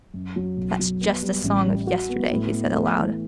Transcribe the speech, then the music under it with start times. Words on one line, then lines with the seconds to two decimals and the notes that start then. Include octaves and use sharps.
"That's just a song of yesterday," he said aloud.
0.14 F#2
0.36 F#3
0.57 B1
0.79 F#3
1.01 B3
1.22 G3
1.43 A1
1.65 G3
1.87 F#4
2.09 B3
2.31 A2
2.52 B3
2.73 A3
2.95 E3